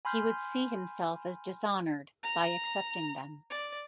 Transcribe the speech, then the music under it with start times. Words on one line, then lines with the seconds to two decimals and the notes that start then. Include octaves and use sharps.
He would see himself as dishonored by accepting them.
0.05 G#5 B5 C6 F6 G6
2.23 A#5
3.50 D5